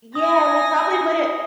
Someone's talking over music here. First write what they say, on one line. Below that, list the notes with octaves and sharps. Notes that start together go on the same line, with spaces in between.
Yeah, we probably wouldn't
G#5 D#6 A#6